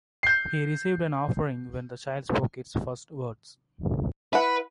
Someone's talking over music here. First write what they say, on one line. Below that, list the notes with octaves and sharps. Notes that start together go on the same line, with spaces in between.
He received an offering when the child spoke its first words.
G6 C7
E4 B4 E5 F#5